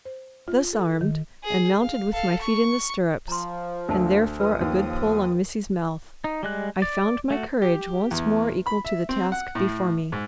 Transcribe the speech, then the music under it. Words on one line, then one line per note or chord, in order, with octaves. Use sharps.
Thus armed, and mounted with my feet in the stirrups, and therefore a good pull on Missy's mouth, I found my courage once more equal to the task before me.
C5
F4
A4
D#3
G#4
F5
A4 F5
C#6
F3 A#5 C6
D2 A#4 C5 A5
F3 F4 B4 D#6
D#2
D#4
G3 G#3 F#6
D5
A3 F#4
G4
E2
B5
E5
C4
F#5
A2
G#2